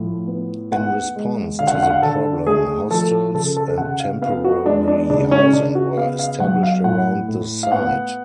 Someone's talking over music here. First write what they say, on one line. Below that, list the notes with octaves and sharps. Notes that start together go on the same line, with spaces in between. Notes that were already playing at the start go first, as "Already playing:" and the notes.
In response to the problem, hostels and temporary housing were established around the site.
Already playing: A2 F3
B3
B3 F#5
G#3
D3 F5
F#5
F5
F#5
F5
D3 A4
A3 G#4
F3 A4
C#3 A4
A4
C#3 F#5
F5
B3 F5
F#4
G#3 D4
D4
C#3 D4
C#4
C#3 D4
F#4
B3 F5
F5
F#3 F#5
F5
A2 F#5
A2
F5
B3 F#5